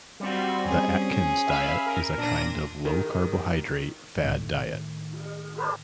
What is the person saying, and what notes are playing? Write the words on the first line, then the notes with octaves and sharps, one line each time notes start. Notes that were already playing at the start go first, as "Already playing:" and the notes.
The Atkins diet is a kind of low-carbohydrate fad diet.
G3 C4 F4 F#4
C#4 G#4
E5 F5 B5
A#4
A#2 D4 A#6 D#7
D#3
A2 D#3